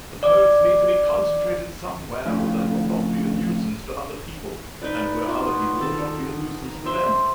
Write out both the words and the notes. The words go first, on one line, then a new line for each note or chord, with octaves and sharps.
The poets need to be concentrated somewhere where they will not be a nuisance to other people, and where other people will not be a nuisance to them.
D5 D6
F2 A2 C#3
D#4 B4 D5
B2 F4
D#3 A4 A5
A#5
C5 E5 C6